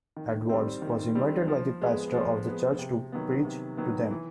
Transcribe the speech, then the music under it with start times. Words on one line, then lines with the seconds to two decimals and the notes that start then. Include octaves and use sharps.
Edwards was invited by the pastor of the church to preach to them.
0.17 D#3
0.49 G3 C4
0.82 D#3
1.15 G3 C4
1.48 F3
1.81 G#3 B3
2.14 F3
2.47 G#3 B3
2.79 C3
3.12 D#3 F#3 B3
3.44 C3
3.77 D#3 F#3 B3
4.11 E3